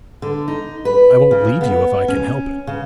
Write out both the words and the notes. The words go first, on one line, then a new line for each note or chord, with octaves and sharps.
I won't leave you if I can help it.'
D3
D#4
B4
C#3
B3
C#4
C#3